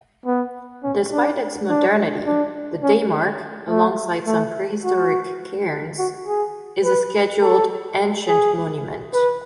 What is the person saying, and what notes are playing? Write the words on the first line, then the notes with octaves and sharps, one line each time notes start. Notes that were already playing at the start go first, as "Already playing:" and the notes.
Despite its modernity, the daymark, alongside some prehistoric cairns, is a Scheduled Ancient Monument.
B3
C#4
D4
D4
D4
C#4
A3
A3
F#4
F#4
G#4
B4
A4
G#4
B4